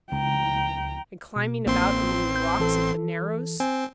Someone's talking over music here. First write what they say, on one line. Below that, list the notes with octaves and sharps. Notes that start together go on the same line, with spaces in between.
"And climbing about among the rocks at the narrows?"
C#2 G5 A#5
B2
A1 A#3 C4 C6
G6
E3 A4
C4 G#5